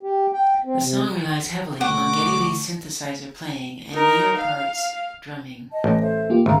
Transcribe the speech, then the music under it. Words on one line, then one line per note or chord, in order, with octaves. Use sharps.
The song relies heavily on Geddy Lee's synthesizer playing and Neil Peart's drumming.
G4
G5
C4
C3
B2 D3 A3 F#4 F#5 D6
D#4 A#4
F5
D#5 A5
A1
A4 C5 E5
A#3 F4 G4
G#1 C#3 G#4 E5 F5 A#5